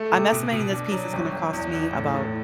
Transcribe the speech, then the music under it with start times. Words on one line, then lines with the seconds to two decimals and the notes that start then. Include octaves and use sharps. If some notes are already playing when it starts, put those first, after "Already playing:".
I'm estimating this piece is gonna cost me about"
Already playing: A3
0.12 C3
0.32 B2
0.52 B2
0.72 D4
0.92 F#3
1.13 G1
1.32 G1
1.53 E2
1.74 E2
1.93 A2
2.14 A2